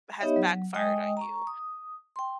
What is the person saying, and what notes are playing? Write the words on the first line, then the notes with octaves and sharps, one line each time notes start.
has backfired on you?
B3 D#4 G4 C#5 D#5 E5
F#3
G#3 D#5 G5 D#6
A#5 C#6
D#6
G5 C6